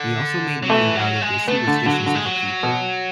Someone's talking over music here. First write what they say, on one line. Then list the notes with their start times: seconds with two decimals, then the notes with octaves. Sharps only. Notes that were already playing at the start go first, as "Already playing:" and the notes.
He also made money out of the superstitions of the people.
Already playing: D3
0.63 F#3
0.69 E3 A3
0.96 F#3
1.21 G#3
1.48 A3 B3
1.67 D3
1.86 D3 F#3
2.06 D3
2.15 G#3
2.25 F#3
2.63 B2